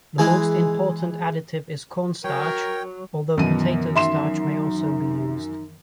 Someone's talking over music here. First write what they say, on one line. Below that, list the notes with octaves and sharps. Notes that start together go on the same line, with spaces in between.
The most important additive is cornstarch, although potato starch may also be used.
E3 G#3 E4
F#3 A#4 C#5 G5
F#2 B2 D#3 E3 B3 D#7
D#4 E5 C6 E7